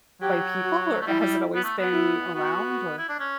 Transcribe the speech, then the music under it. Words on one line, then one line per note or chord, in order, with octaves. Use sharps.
by people or has it always been around or
F#3 G4
F#4
A3
G3 E4
G3
B3
A3
B3
E4
B3 F#4
E4
D4
C#4